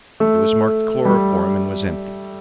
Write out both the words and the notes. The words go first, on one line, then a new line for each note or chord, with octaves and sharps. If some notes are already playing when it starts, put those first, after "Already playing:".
It was marked chloroform and was empty.
A3
G3